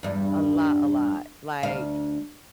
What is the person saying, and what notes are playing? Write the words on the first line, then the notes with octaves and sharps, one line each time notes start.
A lot, a lot, like
E2 G2
D2 F5